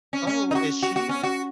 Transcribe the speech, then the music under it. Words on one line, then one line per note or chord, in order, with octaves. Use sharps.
Oh, is she
C#4
C#4
D#4
F#4
F#4
F#4
C#4
F#4